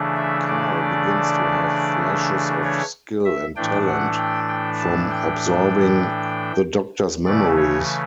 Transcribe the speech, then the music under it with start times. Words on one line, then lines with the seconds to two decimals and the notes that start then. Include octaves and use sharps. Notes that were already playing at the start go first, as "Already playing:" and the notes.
Karl begins to have flashes of skill and talent from absorbing the doctor's memories.
Already playing: C#3 E3 A3 D4
0.16 E5
0.47 D5
2.63 C#5
3.25 E5
3.56 A2 E3 A3 D4 G5
3.87 F#5
4.17 G5
4.48 G5
4.79 A5
5.10 G5
7.25 C#3 E3 A3 D5
7.56 C#5